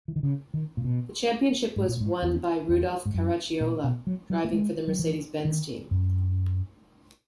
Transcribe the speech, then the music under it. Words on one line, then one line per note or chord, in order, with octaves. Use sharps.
The championship was won by Rudolf Caracciola, driving for the Mercedes-Benz team.
E3
D#3
C#3
D#3
A#2
B2
G#2
A#2
G#2
E2
E2
G#2
F#2
A#2
B2
F#3
F#3
A#3
G#3
F#3
E3
D#3
F#2